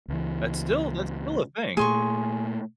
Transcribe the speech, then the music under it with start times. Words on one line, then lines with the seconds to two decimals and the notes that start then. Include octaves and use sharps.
That's still that's still a thing.
0.08 C#2 E3
1.77 A#2 A3 G#4 C6 C#6